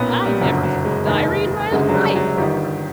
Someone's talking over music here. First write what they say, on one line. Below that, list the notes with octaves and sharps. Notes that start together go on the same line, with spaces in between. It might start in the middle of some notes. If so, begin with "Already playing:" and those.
"And I never kept a diary in my life!" he cried.
Already playing: B1 A#2 B3 C#4
A#3
G3
F#1 F2 D3 F#3
F#3
G#3
F1 D#2 D#3
F#1 F#2 D3 G#3
F#3
G3
F#3
G1 G2 D#3 G3